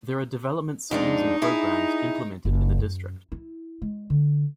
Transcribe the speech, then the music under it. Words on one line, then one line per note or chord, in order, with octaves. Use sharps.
There are development schemes and programmes implemented in the district.
F2 G#3 D4 D#4
E4 G#4
F#1
F#2
E4
G#3
D3